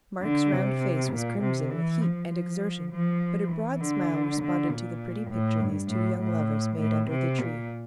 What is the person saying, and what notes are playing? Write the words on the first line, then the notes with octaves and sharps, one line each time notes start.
Mark's round face was crimson with heat and exertion, but a broad smile responded to the pretty picture these two young lovers made under the tree.
D3
C3
A#2
C3
E3
F3
F3
F3
E3
D3
D3
A#2
A2
G2
A2
A2
A2
C3
A#2